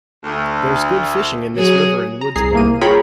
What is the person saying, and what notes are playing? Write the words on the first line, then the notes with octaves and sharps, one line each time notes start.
There's good fishing in this river in Woodsboro.
D2
F#3 F#4 G#4
A#5
C2 G#4 A#5 C7
C2 A#3 D#7
F4 G#4 A#4 C#5 G5 B5